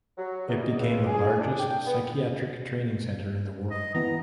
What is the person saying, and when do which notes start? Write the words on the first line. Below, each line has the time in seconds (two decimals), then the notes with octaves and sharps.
It became the largest psychiatric training center in the world.
0.18 F#3
0.47 E2
0.63 D#5
0.78 C#2
1.07 G#4
1.39 D4
1.59 G5
1.86 B3
3.71 D#5
3.95 E3 B3 A#5